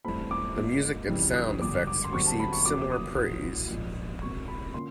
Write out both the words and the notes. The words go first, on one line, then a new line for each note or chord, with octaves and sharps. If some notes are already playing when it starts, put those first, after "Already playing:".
The music and sound effects received similar praise.
G2 E3 A3 C4 B5
D6
G#2 F3 A#3 D#4
F2 C#3 E3 G3
D#6
G#1 G2 D3 D6
D6
C6
F#2 D3 G3 C4 C#6
A5
B5
C#6
F1 D#2 C#3 F#3 B3 D6
D6
D#6
A#1 A2 F#3
A#1 G#2 F3
E1 D2 C3 C#6
B5
D3 F3 A#3 C#4 C6